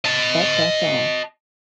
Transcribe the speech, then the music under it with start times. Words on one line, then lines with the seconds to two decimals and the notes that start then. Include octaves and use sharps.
But that's all.
0.05 D#5 A5